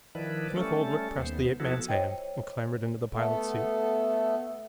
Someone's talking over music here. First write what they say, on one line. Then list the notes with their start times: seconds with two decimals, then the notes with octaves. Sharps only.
Smith-Oldwick pressed the ape-man's hand and clambered into the pilot's seat.
0.15 D#3 F3 E4 B4 D5
0.56 G3 A3 C#4 A4
1.17 D#2 B3 C5
1.60 F3 B3 E4 F#4 A4
1.89 C5 C#5 D#5 G5
3.13 A3 B3 A4